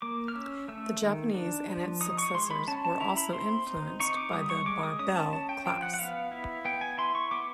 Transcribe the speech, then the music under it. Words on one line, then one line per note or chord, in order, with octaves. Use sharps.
The Japanese and its successors were also influenced by the "Barbel" class.
A#3 D6
F6
C#4 E6
A3 E6
D#3
D4
F3
D#4 D#6
C#6
G#3 C6
B5
C#4 A5
A5
E4 A#5
B5
C4 C6
D#4
D#4 C#6
D6
G3 D#6
C#6
G#3 D6
D#6
C#4 D#6
A5
C#4 A5
G5
F3 G5
F#5
F#5
B3 F5
E4
B3 G5
G#5
E4 C6
C#6
B3 D6